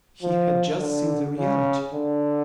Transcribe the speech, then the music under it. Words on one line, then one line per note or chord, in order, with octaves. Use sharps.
He had just seen the reality.
F3
D3
C#3
D3